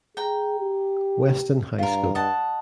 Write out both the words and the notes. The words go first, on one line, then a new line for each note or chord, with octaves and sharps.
Weston High School.
G#4 G5 A#5
G4
G2 F4 A#4
D#5 F#5 A5